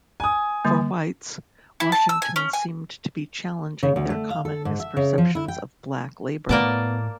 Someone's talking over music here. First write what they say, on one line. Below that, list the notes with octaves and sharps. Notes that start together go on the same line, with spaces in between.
For whites, Washington seemed to be challenging their common misperceptions of black labor.
G#5 D#6
D3 G3 A#3
E4
A5
E6
G#5
C#4
G#5
C#3
D2
A3
F5
A4
G#2
E5
C#3
F3
E4
G5
A2 A#3 B3 D5 A5